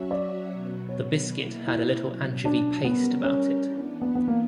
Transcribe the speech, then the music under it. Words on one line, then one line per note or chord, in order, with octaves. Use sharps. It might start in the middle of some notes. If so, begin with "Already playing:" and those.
The biscuit had a little anchovy paste about it.
Already playing: F#3 C#4 F#4 C#5 E5
D5
B2 F#3 B3
C#5
B2 A#3 E4
E4
B2 F#3 C#4
D4
G3 B3 C#4 G4 A#4
C#4
E3 B3 D4
B3
B3
A#3